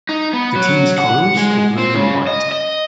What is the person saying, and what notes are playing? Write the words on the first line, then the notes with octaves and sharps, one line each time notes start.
The team's colours are blue and white.
D#4
B3
F#3
F#5
G#3
C4
C#3
D#5
D#5